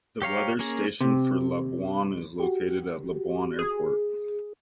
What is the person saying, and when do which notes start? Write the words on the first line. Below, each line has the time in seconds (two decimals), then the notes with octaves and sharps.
The weather station for Labuan is located at Labuan Airport.
0.22 G4 C#5 F5 A#5
0.59 A#3 C#4 G#4 A#4
1.01 C3
2.40 F#4 G4
3.59 G#4